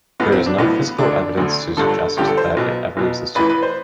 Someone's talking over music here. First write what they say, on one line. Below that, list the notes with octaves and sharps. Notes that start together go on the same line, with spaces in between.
There is no physical evidence to suggest that it ever existed.
B1 A2 E3 B3
C4
D4
B1 A2 E3 B3
D2 D3 D4
D2 D3
G1 G2 D3 A4
G1 G2 D3 G4
A4
C5
B1 B2
B1 B2
A1 A2 E3 B4
B4
C5